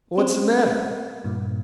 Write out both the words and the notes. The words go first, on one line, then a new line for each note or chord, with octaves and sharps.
"What's the matter?"
C4 C#4
G2 A#2